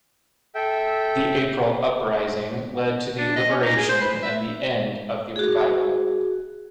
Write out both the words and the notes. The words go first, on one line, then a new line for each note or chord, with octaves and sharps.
The April Uprising led to the liberation and the end of the Revival.
A4 E5 G5
D4
D#5
C#4
D#4
G#4
C5
B4
E5
F#4 G#4